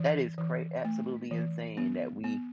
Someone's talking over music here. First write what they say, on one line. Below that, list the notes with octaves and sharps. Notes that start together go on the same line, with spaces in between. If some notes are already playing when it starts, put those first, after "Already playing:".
That is cra absolutely insane that we
Already playing: E3
E3
A3
E3
B3
B3